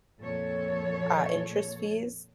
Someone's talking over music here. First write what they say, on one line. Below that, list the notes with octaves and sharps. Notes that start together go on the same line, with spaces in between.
uh, interest fees,
F2 A#2 A4 C#5